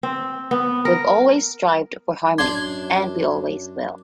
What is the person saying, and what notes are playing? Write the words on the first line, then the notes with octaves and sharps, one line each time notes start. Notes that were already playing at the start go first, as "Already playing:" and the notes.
We've always strived for harmony, and we always will.
C4
B3
A#4
F#2 D4 C6 D6 G#6